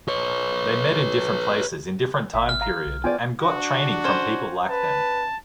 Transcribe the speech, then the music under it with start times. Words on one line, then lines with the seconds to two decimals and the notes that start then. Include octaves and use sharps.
They met in different places in different time period and got training from people like them.
0.08 B4 C#5
2.34 G#1 E5
2.49 F6
2.61 F5 A#5
2.86 B1
3.04 B3 F4 D5 G5 G#5
3.42 D4 F#4
4.04 C#4 C5
4.69 B4 A5